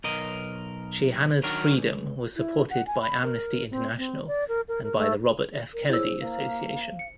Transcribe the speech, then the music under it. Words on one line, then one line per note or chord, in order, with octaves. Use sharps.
Chihana's freedom was supported by Amnesty International and by the Robert F. Kennedy Association.
B1 A#4 D#5
D#3 F#3 D4 A#4
C#2
E4
F#5
G#5
B5
A#4
C4
C4
D5
A#4
A#4
A#4
A3
A#4
E4 G#4 C5 C#5 E6
A#3 F5
C#7